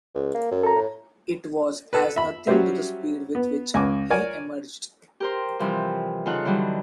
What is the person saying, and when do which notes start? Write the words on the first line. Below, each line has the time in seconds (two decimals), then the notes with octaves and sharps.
It was as nothing to the speed with which he emerged.
0.15 C#2
0.35 A#3
0.51 F#2
0.63 A4 A#5
0.75 A2
1.93 A4 B4
2.16 E5 B5
2.47 F#3 G3 C#4 G4 C5 E5
3.35 B3
3.74 C#2 G#5 D6
4.10 A#4 C#5 D5 G#5
5.20 G4 A#4 C5
5.59 C3 E3 F3 G3
6.26 C#3 D#4 F4 A4 F#5 F#6
6.45 D3 E3 F#3 G3 D#4